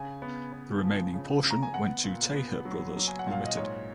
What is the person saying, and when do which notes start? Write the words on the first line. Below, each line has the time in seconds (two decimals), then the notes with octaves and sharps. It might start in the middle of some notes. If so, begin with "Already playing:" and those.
The remaining portion went to Taher Brothers Limited.
Already playing: C#3 G#5
0.22 B3
0.53 B3
0.82 F3
1.14 C#3
1.44 C#3
1.51 A#5
1.63 G#5
1.73 B3 F#5
2.04 A#2
2.36 B3
2.65 F#3
2.97 F#3
3.08 G#5
3.19 F#5
3.27 A#2 F5
3.45 D#5
3.57 G#2 C#5